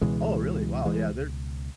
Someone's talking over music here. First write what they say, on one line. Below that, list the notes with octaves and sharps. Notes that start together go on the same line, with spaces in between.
Oh really? Wow, yeah, they're
C#2 B2 E3 G#3
E3 G#3